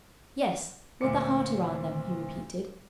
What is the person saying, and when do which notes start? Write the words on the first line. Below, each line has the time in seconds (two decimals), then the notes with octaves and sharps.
"Yes, with a heart around them," he repeated.
1.01 D2 A#2 C4 D6 C#7